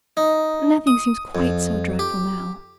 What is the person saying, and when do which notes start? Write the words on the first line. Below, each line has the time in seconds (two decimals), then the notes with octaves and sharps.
Nothing seems quite so dreadful now.
0.17 D#4
0.87 D#6
1.35 F2
1.99 G4